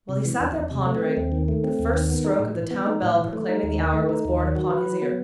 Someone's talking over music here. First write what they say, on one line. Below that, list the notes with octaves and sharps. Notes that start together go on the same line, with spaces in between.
While he sat there pondering, the first stroke of the town bell proclaiming the hour was borne upon his ear.
C3
E3
E2
E2
C3
A3
C4
D#2
D#3
A3
C4
D#2
D#3
B3
D#4
A2
E3
B3
D#4
A2
E3
A3
D#4
D#2
D#3
A3
D#4
D#2
D#3
F#4
B4
F#3
B3